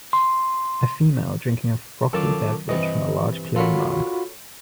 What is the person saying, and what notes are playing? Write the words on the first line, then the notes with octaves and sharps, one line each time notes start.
A female drinking a frothy beverage from a large clear mug.
C6
F#2 D#3 F4 A4 A5 D6
G2 C3 E3 D#5
F4 F#4 A4 A#4 C#5 B5